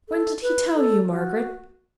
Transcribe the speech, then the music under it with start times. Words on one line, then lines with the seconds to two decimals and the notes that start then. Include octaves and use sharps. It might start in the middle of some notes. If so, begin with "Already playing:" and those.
'When did he tell you, Margaret?'
0.08 A4
0.42 B4
0.75 A4
1.09 F#4